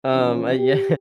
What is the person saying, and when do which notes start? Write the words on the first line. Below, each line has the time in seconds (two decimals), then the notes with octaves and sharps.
Um, uh yeah.
0.12 C#3 E3 F3 C#4
0.57 G4